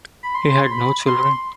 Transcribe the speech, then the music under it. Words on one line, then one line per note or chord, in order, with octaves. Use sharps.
He had no children.
B5
C6
B5
C6